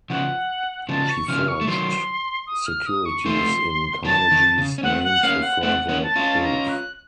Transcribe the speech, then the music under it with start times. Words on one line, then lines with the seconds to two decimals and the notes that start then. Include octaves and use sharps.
She forged securities in Carnegie's name for further proof.
0.10 C#3 F3 F#5
0.89 C#3 F3 A5
1.09 C#6
1.28 C#3 F3 F6
1.48 C#6
1.61 A3
1.68 D#3 F#3 C6
2.47 D#6
2.66 F6
2.86 D#6
3.06 C#6
3.26 F3 A3 C6
4.05 D#3 F#3 A5
4.31 D#3
4.58 C#3
4.78 C#4
4.83 A3 C4 F#5
5.04 F#5
5.23 A#3 C#4 F5
5.42 F#5
5.63 A3 C4 F#5
5.89 A#3 C#4
6.03 A5
6.16 C#4 F4
6.42 A#5
6.68 F#6